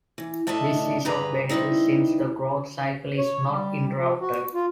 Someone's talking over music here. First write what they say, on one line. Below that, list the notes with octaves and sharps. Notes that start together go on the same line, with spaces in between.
This is of benefit since the growth cycle is not interrupted.
E3
A2 A3 D4 D#5 E5 A5
G2 G4 G#4 B4 A#5
G3 D#4 E4 B4 C5
C#5
G3
F3
F#4
F4